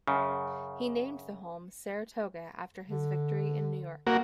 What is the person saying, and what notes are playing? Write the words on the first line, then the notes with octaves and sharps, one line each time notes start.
He named the home Saratoga after his victory in New York.
F#2 C#3
D3
A#3 F#4